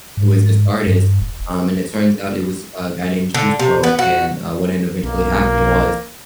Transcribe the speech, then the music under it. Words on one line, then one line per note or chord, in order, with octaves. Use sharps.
who is this artist? Um, and it turns out it was a guy named Juice WRLD, and, uh, what ended up eventually happening was
G#2
G2
E1
D3
C3
B3
F#4
B1 A#3